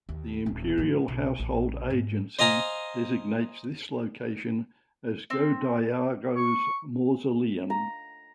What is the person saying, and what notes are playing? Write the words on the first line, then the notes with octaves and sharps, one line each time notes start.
The Imperial Household Agency designates this location as Go-Daigo's mausoleum.
D#2
D#1
G#2 F3
B1
A#1
G#2
C5 D#5 F5 G#5 A#5
C4
C#6
A#5